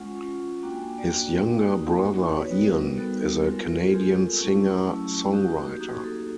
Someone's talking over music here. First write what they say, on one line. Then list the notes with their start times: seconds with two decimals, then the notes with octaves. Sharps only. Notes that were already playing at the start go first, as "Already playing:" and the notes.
His younger brother Ian is a Canadian singer-songwriter.
Already playing: G#3 C#4 F4 F#5
0.16 G#3 C#4 F4
0.63 A#3 D4 F#4 G5
0.75 G#5
0.98 D5
1.10 A#3 D4 F#4
1.57 A#3 D#4 F#4
2.04 A#3 D#4 F#4
2.16 C#5
2.28 C#5
2.39 B4
2.51 G3 B3 D#4 F#4 A#4
2.98 G3 B3 D#4 F#4 A4
3.45 G#3 C4 F4 A#4
3.56 A4
3.69 G#4
3.81 G#4
3.92 G#3 C4 F4 G4
4.39 F#3 A3 C#4 E4
4.86 F#3 A3 C#4 E4
5.33 A#3 D#4 F#4 G4
5.49 F#4
5.65 G4
5.80 A#3 D#4 F#4 G#4
6.04 A4